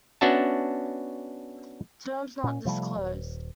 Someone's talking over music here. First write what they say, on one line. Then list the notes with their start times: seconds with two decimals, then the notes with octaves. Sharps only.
Terms not disclosed.
0.21 B3 C#4 D4 F#4 E5 A5
2.44 A#2 C#4
2.65 C3 F3 G3 A3
2.97 D#1